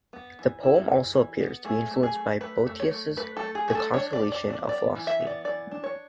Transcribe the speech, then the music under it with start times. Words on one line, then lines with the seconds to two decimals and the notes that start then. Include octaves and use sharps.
The poem also appears to be influenced by Boethius's "The Consolation of Philosophy".
0.13 B3
0.39 E3
0.63 E4
0.89 E3
1.14 E3
1.40 B3
1.64 A3 G#4
1.91 A3
2.03 G#4
2.16 A3
2.41 A3 B4
2.67 A3
2.80 C#5
2.91 A3
3.17 A3 B4
3.37 A4
3.43 A3
3.55 G#4
3.68 A3 G#4
3.75 A4
3.94 D4 C#5
4.13 D5
4.19 D4
4.32 D5
4.44 D4
4.50 D5
4.69 B3 D5
4.95 E3
5.07 E5
5.21 B3
5.27 D5
5.45 E3 D5
5.71 D4
5.84 C#5